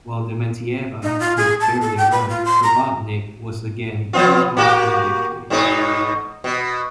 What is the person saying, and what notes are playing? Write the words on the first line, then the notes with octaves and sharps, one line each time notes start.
While Dementieva could barely run, Srebotnik was again few points from victory.
D#4
F4
G#4
A5
A4
G5
B4
F4
C6
A#5
F3 B3 F4
A#3 F#4 G4
G#2 B2 D#4
B2